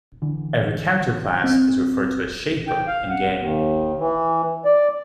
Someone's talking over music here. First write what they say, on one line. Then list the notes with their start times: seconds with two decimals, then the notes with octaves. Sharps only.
Every character class is referred to as "Shaper" in-game.
0.22 D3 E3
1.44 C4
2.68 G5
2.87 F5
3.09 F#5
3.37 D#2
3.99 E3
4.65 D5